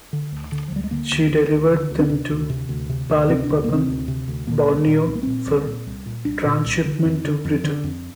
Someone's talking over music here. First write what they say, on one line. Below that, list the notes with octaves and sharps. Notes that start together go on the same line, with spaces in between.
She delivered them to Balikpapan, Borneo for transhipment to Britain.
D3
D2
D3
F3
D2 G3
G#3
D3 A#3
D2
D3
D2
D3
D2
C4
C3 D4
D2
C3
D2
C3
D2
C3 C4
D4
D2
C3 A#3
C4
D2
C3
D2
A#2 A#3
C2
A#2
C2 C4
A#3
A#2 C4
C2
A#2
C2
A#2
C2 D4
A#2
C2
D3
F2
D3
F2
D3
F2